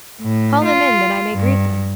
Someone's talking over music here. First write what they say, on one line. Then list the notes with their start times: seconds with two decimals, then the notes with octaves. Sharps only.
"Call them in, that I may greet them."
0.20 A2
0.63 F4
1.33 G2